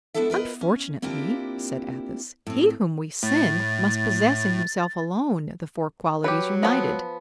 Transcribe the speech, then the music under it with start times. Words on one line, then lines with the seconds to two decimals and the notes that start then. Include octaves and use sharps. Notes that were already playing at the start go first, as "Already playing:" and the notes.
"Unfortunately," said Athos, "he whom we send must possess in himself alone the four qualities united."
0.14 G#3 B3 D4 E4 A4 E5
0.30 F4 A#4 B4 D#5
0.61 C#4
1.02 A#3 C4 D4 E4 F4 G4
2.47 A2 C4
3.23 A2 A6
6.24 F#3 G4 B4
6.63 F3 B3